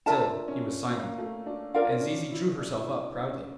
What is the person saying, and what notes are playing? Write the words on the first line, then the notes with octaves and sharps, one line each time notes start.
Still he was silent, and Zizi drew herself up proudly.
D4 F4 A#4 E5 A5
C#4
A#3
A3
D4
D4 F4 A#4 D5 F5
C#4
D4
E4
D4
E4
D4
C#4